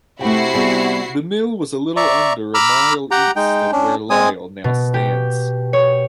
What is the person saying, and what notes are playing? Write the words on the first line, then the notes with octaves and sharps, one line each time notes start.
The mill was a little under a mile east of where Lyle now stands.
C3 A3 E4 F#4 G5 C7
G3 B3 G#4
D5 E5 A#5 C#6
A#5 B5 D6 E6 F6
G4 F#5 G5 A#5
G#3 D#4 G5
C#4 D4
G#3 C4 G#5 D#6
B2
G4
C#5